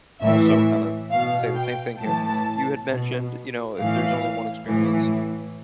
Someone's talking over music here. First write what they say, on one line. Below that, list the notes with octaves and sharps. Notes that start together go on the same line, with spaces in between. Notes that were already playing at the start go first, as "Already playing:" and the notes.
also kinda say the same thing here. You had mentioned, you know, if there's only one experience,
A2 E3 E5
B2 F5
G5
A2 E3 A5
B2
A2 E3 F5
A2 E3